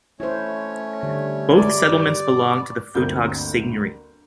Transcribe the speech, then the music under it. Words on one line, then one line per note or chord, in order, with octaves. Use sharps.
Both settlements belonged to the Futog seigniory.
A3 C#4 E4 C5 C#5
D3 G3
D5
G1 D2 A#3 C4 G6